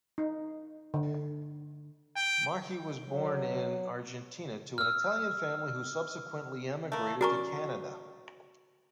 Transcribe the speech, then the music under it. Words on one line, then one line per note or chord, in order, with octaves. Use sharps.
Marchi was born in Argentina to an Italian family who subsequently emigrated to Canada.
D#4
D3
G5
F#3
E6 F6
A3 A#3
C#4 F#4 A#4 D5 A#5 C#6